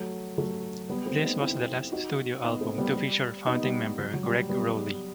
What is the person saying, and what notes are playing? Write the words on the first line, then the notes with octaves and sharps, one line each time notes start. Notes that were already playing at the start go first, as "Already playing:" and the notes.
This was the last studio album to feature founding member Gregg Rolie.
Already playing: F#3 A3
F#3 A3
G3 B3
A3 C4
B3 D#4
C4 E4
D#4 F#4
B3 D#4
A3 C4
G3 B3
G3
B3 D#4
G3 B3
F#3
F#3
G3
G3 B3